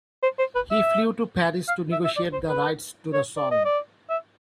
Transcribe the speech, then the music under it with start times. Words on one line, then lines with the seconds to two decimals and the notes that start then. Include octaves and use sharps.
He flew to Paris to negotiate the rights to the song.
0.23 C5
0.39 C5
0.55 B4
0.71 E5
1.68 F5
1.92 E5
2.04 E5
2.16 D5
2.33 C5
2.49 B4
3.13 C#5
3.37 D5
3.51 D#5
3.65 D5
4.10 E5